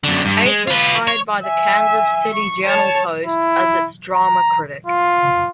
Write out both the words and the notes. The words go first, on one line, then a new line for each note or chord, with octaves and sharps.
Ace was hired by the "Kansas City Journal-Post" as its drama critic.
F#2 D3
G2
G#3
F4 B4
C#5
E5 G#5
C#6
C#5 A5
E4
A#5
F4